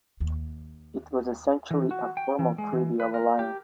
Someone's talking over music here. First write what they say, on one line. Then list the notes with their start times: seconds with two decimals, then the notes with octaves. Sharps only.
It was essentially a formal treaty of alliance.
0.20 D#2
1.71 E3
1.91 F#4
2.17 G5
2.39 E3
2.58 G#3
2.73 E3
3.00 B4
3.14 A#4
3.39 G4